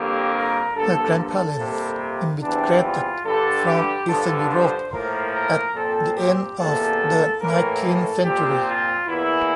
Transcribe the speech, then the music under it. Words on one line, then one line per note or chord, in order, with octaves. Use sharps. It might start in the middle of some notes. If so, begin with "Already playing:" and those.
Her grandparents immigrated from Eastern Europe at the end of the nineteenth century.
Already playing: F2 D3 G3 A#3 G4
A#4
G2 D3 F3 A#3 A4
A4
F2 C3 G3 A#3
E2 E3 G3 C4 D4
F4
G2 D3 G3 A4
G4
G2 D3 F3 A4
C5
A2 F3 A#3 A#4
A#4
A#2 F3 C4 A4
G4
E2 C3 F3 A#3 A4
A2 E3 A#3 A#4
A4
A#2 F3 C4 G4
F4
E2 E3 A#3 E4